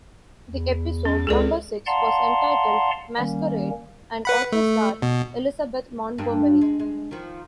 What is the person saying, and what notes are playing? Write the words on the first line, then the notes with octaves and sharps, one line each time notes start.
The episode, number six, was entitled "Masquerade" and also starred Elizabeth Montgomery.
E2
C#4
C#2 G#4 A4 D5
D5 F5 F#5 A5 A#5 C6
D#3 G3 A#3 C#4
B4 F#5 B5
A3
B2
G2 A#3 D4
G#3
G#3
D#3 F3